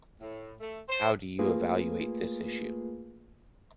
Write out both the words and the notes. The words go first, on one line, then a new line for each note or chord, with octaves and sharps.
How do you evaluate this issue?
A2
A3
C5
A3 A#3 F4 G#4 B4